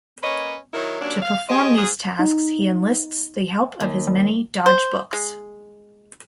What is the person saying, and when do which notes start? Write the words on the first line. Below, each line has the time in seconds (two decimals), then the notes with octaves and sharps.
To perform these tasks he enlists the help of his many 'dodge books'.
0.23 A#3 C#4 B4 C#5 D#5
0.73 D#3 F#3 D#4 E4 A#4
1.01 D#2 F#3 A#3 C#4 D4
1.22 F5
1.49 G4 G#4 C5 D#5
1.77 G#2 G#4
2.19 D#4
3.80 D#2
4.07 G3
4.66 C5
5.13 G#3